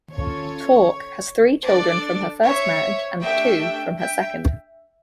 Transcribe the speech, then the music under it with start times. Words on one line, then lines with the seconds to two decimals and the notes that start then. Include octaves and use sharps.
Tork has three children from her first marriage and two from her second.
0.12 C#4 F4 A4 C#5
1.66 D4 A4 D5
2.44 C#5 E5
3.21 A3 D4 G4 E5 G5
3.99 E5 G5